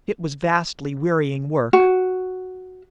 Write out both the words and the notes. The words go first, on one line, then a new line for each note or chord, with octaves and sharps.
It was vastly wearying work.
F#4